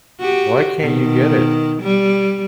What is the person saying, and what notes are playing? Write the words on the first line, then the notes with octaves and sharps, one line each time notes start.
Why can't you get it?
F#4 G4
B2 D#3
G3